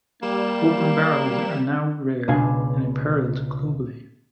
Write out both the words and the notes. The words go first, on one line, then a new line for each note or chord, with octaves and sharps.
Open barrens are now rare and imperiled globally.
G3 A#3 E7
C#2 B2 D4 F5 G#5